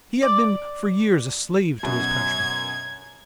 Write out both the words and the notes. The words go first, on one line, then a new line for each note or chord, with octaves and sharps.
He had been for years a slave to his passion.
D5
F#2 B2 G#6